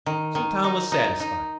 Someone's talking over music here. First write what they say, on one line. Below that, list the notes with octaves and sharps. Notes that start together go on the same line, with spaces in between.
So Tom was satisfied.
D#3
D#3
D#4
D#4
D#4